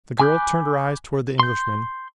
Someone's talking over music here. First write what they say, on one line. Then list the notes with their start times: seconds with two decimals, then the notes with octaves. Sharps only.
The girl turned her eyes toward the Englishman.
0.20 G#5 B5 D6 F#6 G6
1.40 C6 G6